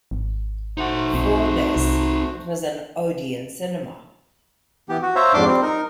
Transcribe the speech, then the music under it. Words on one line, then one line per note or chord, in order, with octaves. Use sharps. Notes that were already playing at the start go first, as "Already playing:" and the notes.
Before this, it was an Odeon cinema.
G#1
A3 D#4 F#4 C5 F#5
B1 C4 D#4
C2
E3 B3 G4
F#4
C5 C#5 E5 F5 A#5
F2 G#2 D4 C6 D6
G3 C4
D#4 A#4